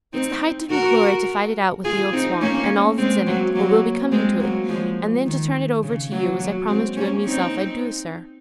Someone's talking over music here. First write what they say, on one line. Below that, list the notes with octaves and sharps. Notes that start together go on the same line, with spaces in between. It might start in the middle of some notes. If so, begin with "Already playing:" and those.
It's the height of me glory to fight it out with the old swamp, and all that's in it, or will be coming to it, and then to turn it over to you as I promised you and meself I'd do, sir.
C4 D#4
F#4 A#4
F4 G#4
C4 D#4
A#3 C#4
G#3 C4
F#3 A#3
F#3 A#3
G#3 C4
F#3 A#3
F3 G#3
D#3
C#3
F#3 A#3
F#3 A#3
G#3 C4
A#3 C#4
C4 D#4